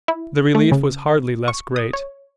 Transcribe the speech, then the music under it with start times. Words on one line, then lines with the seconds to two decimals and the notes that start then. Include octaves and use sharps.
The relief was hardly less great.
0.08 E4
0.55 A3
0.72 C#3
1.48 C#6
1.76 D#6
1.93 C#5